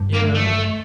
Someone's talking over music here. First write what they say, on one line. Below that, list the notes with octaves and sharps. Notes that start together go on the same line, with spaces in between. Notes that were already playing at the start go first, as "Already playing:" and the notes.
You know?
Already playing: G2
A#3
A3